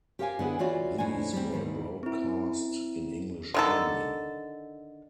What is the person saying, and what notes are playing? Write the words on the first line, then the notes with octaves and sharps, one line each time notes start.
These were broadcast in English only.
G4 A#4 C5 F5 G5 G#5
D3 B3 E4 G#4
E3 F4 F#4 C#5 D5 E5
F2 A2 D4 D#4 C5 G#5
G3 C4
G#2 B2 D#3 E3 G3
C4 E4
D3 D#3 A4